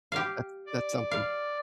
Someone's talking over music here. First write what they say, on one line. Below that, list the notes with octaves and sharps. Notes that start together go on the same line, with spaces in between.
That's that's something.
G4 F5
D5
F5